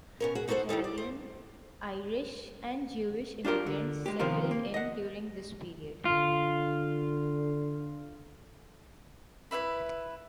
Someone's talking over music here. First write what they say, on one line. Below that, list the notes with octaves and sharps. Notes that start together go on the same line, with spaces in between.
Italian, Irish and Jewish immigrants settled in during this period.
B2 C#4 A#4
F#4 G#4
D#4 F#4 A4 B4 C5 F#5
E3 A3 D#4 A4
D5
C5
D4 F4 G4 A#4
D3
G#3 G4
C3 D#3 F3 B3 F4 A#4
A#3
D#5 F#5
D3 F4
E4 B4 E5 B5